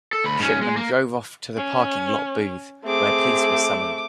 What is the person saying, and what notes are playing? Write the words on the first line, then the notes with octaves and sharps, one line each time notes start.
Shipman drove off to the parking lot booth where police were summoned.
A4
D2 B5
G#2 C#4
G#3
A#3
C#4
A3 C4 G#4 D6